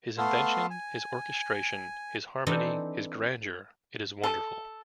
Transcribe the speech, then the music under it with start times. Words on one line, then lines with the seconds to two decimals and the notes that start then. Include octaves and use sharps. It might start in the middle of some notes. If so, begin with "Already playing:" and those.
His invention, his orchestration, his harmony, his grandeur, it is wonderful.
0.18 A3 B3 A4 F5 C6
0.70 G#5
2.47 E3 C4 D4 D#4 A4
4.24 A4